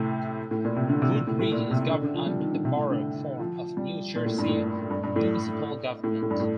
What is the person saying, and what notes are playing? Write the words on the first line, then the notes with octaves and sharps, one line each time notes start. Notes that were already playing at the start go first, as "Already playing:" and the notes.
Wood-Ridge is governed under the Borough form of New Jersey municipal government.
Already playing: A2 C3
A2
A#2
C3
D3
C3
A#2
A2
A2
A#2
C3
D3
D3
F3
G3
D#3
D3
C3
A2
D3
F3
G3
A#2
A2
G2
A2
G2
G2
A2
A2
A2
G2
A2